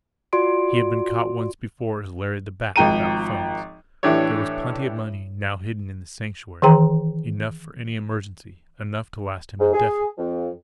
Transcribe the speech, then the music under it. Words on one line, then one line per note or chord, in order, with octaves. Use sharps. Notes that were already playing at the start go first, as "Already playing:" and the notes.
He had been caught once before as Larry the Bat without funds! There was plenty of money now hidden in the Sanctuary, enough for any emergency, enough to last him indefinitely.
F4 F#4 D5 C6 D7
G#1 F3 G5 A#5 D#7
A2 E3 D4 G4 A4 C#5
D#3 E3 G#4 G5 A#5
G#2
G#4
F2